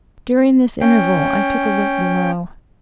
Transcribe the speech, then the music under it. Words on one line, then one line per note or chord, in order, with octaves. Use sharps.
During this interval I took a look below.
C#4 G5